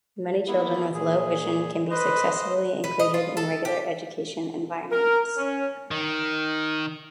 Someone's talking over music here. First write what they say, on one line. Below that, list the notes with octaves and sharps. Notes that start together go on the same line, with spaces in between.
Many children with low vision can be successfully included in regular education environments.
A#3 B3 E4
A#2 G#4
B4 C5 D#5
B4
D#5
F4
A4
G4
A#4
C#4
D#3